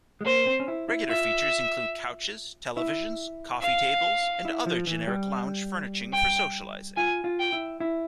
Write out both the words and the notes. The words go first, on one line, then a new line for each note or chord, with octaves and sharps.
Regular features include couches, televisions, coffee tables, and other generic lounge furniture for socializing.
G#3
A#3 C5
C4
C#4
E4
E4
F4 E5
E4
F5
E4
F3
E3
G3
G5
F4 G#5
F4
G5
E4
E4